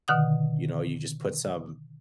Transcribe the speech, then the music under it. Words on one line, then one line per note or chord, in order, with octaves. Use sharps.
you know, you just put some
B2 D3 D#3 F#5 D#6